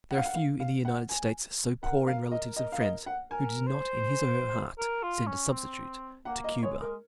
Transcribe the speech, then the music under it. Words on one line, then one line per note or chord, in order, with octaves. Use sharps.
There are few in the United States so poor in relatives and friends who did not in his or her heart send a substitute to Cuba.
F#5
F5
F#5
F5
F5
F#5
G#5
A#4 F#5
F5
D#5
D#5
F5
D#5
F#5
A#4 G#5
C5
A#4
F4
C#4
C4
A#3 F#5
D#5
G#3 C#5
A#4